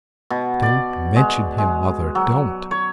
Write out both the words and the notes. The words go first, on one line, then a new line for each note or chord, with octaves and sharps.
'Don't mention him, mother, don't!'
B2
D5
G#3
G#3
F#3
C#5